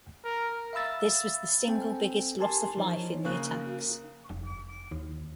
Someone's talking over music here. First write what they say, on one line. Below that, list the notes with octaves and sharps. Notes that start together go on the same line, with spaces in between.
This was the single biggest loss of life in the attacks.
A#4
E5 F5 B5 E6 A6
C4 A4 G5 G#5
G4 A#4 G#5 A5 C6
F3 D#4 C#5
C#3 A#3 F#6
F1
D#2